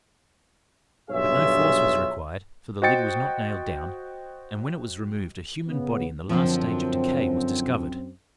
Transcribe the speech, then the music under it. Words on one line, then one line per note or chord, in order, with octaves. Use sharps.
But no force was required, for the lid was not nailed down; and when it was removed, a human body in the last stage of decay was discovered.
B1 G2 F4 G#4 C#5 E5
F#4 C5 D#5 G5 A6 C#7
C#3 B3
F#2 D3 F3 C4